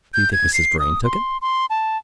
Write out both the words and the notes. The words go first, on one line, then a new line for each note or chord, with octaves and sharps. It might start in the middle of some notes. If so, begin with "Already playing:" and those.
"Do you think Mrs. Vrain took it?"
G6
G#6
C7
D#6
C6
C6
A5